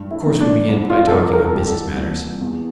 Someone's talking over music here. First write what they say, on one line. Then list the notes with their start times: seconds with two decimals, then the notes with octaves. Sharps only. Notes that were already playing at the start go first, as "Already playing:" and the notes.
Of course, we began by talking on business matters.
Already playing: G2
0.11 E4
0.26 E3 A#3
0.40 D4
0.69 C2
0.90 F4
1.07 A4
1.11 C3 F3 A#4
1.33 A#4
1.44 A4
1.55 C2 G4
1.68 A4
1.97 C3 E3 A#3
2.41 E2